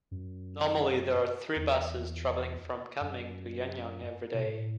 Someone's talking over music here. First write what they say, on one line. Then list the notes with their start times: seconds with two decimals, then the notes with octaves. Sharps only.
Normally there are three buses travelling from Kunming to Yuanyang every day.
0.11 F#2
1.56 E2
3.01 F#2
4.34 B2
4.45 A2